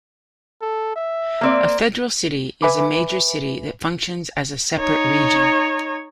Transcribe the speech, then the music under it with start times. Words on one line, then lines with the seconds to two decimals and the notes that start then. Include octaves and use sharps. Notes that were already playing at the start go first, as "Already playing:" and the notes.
A federal city is a major city that functions as a separate region.
0.62 A4
0.96 E5
1.41 A#3 C4 D5
2.62 B4 E5 G#5 B5 D6
4.79 D#4 C#5